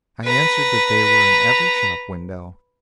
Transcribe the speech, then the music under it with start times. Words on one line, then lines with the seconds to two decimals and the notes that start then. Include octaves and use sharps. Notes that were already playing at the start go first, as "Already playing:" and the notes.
I answered that they were in every shop window.
0.23 B4 A#5